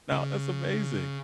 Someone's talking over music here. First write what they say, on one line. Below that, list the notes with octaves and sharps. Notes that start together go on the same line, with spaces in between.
No, that's amazing.
C#3